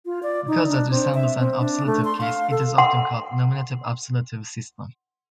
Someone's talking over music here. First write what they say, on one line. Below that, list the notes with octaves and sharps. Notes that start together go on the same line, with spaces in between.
Because that resembles an absolutive case, it is often called a nominative-absolutive system.
F4
D5
D#4
D4
C4
E5
C4
D4
A3
C6
F5
A4
F#5 C6